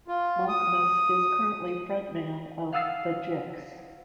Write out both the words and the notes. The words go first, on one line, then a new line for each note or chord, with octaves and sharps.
Malkmus is currently frontman of The Jicks.
F4
D#6
F5 F#5 D#6 E6 A6 C7